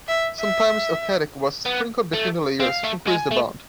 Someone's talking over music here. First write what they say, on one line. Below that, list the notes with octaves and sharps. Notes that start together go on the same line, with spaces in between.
Sometimes eutectic was sprinkled between the layers to increase the bond.
E5
E5
B3
A3
C4 F5
A3
G#3 G#5
A3